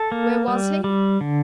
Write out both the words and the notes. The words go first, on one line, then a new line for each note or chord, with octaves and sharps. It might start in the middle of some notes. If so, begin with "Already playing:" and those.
Where was he?
Already playing: A4
A#3
G3
G3
D3